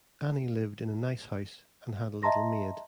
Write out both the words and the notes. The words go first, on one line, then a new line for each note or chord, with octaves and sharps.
Annie lived in a nice house, and had a little maid.
D#5 E5 A5 A#5 C6 A#6